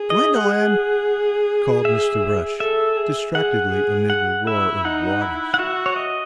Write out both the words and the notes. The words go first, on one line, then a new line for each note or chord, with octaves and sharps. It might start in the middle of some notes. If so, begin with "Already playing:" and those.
"Gwendolyn!" called Mr. Brush, distractedly amid the roar of waters.
Already playing: G#4
D#5
F#5
E5
A4 E5
G#4
G#4 F#5
G#4
F#5
E4 E5
D#4 F#5
E4
F#5
F#4 E5
C#5
D#5